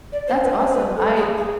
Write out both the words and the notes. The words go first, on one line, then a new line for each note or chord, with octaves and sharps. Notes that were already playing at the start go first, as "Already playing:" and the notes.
That's awesome. I
D5
C5
B4
C5
B4
A4
G#4
G#4